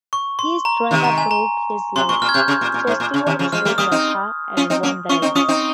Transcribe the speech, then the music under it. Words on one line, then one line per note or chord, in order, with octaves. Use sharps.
His driver broke his leg, so Stewart drove the car, and won the race.
C#6
C6
A#5
C3 D#3
A#5
G#5
A#5
C3 C6
A#2 C#6
A#2 F6
G#6
C3 G6
C#3
A#2
A#2
G#2
A#2
C#3
C3 D#3
C#3 F3
F3 G#3 F6
G3 A#3
G3 A#3 D#6
C4 D#4
C#4 F4
C4 D#4
A#3 C#4
C#4 F4 C#6
C4 D#4
C#4 F4 D#6
C4 D#4